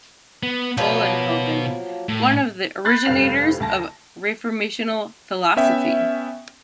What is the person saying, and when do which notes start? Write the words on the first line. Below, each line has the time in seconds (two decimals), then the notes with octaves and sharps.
Vollenhoven, one of the originators of Reformational philosophy.
0.43 B3
0.77 B2 F3 F#3 A#3 B4
2.09 A2
2.85 B5 F#6 G6 A6 C7
3.05 F1 G2 C5 F5 C7 F7
3.60 D2 A5 A#6
5.57 B3 C#4 E5 G5